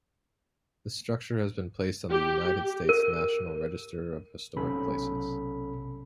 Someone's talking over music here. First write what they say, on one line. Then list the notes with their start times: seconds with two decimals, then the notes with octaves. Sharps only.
This structure has been placed on the United States National Register of Historic Places.
2.11 G4
2.89 A#4
4.56 B1 C3 C#4 A4 B5